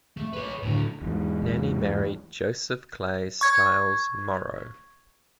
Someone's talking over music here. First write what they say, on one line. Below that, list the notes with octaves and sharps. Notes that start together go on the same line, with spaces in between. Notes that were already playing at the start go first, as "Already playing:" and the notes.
Nannie married Joseph Clay Stiles Morrow.
A3
B4 C#5
A2 D3
E2 G#2
C#6 G#6